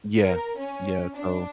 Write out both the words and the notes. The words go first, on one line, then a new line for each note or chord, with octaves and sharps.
Yeah, yeah, so
A#4
C#4
D4